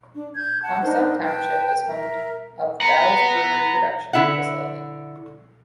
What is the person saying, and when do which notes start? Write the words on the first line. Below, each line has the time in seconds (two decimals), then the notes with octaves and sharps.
Comstock Township is home of Bell's Brewery production facility.
0.15 D4
0.34 G6 G#6
0.62 F#5 A5
0.82 D4 D#4 A#4 C5
1.23 B4 G5 A5
1.85 A#4 E5
2.81 B4 F#5 A#5
4.13 D3 E4 E5 F#5